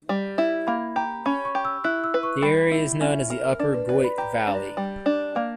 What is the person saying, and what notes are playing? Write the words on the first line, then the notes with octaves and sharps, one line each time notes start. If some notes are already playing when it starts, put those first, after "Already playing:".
The area is known as the Upper Goyt Valley.
G3
E4
A#3 B5
G4 A#5
C#4 B5
C#6
G4
E6
E4 F#6
E6
B4
C#6
G3 B5
E4
C#4 E5
A#4
D4 D5
B4
B4 D5
B5
G4 A#5
D4
G3
D4
A#3 D5